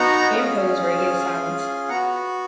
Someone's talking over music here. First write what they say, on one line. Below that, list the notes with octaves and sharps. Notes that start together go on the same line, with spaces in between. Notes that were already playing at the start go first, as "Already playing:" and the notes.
Impose radio silence.
Already playing: B3 D#4 F#4 F#5 A#5
C#4 F4 G#4
B3 F#4 F#5 A#5